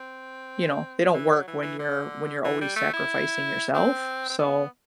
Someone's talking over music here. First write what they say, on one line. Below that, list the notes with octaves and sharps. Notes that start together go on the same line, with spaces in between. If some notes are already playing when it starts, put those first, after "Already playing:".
You know, they don't work when you're when you're always sacrificing yourself, so
Already playing: C4
E3
F#3
E3
E3
D3
E3
G3
A3
E4
C4
C4
B3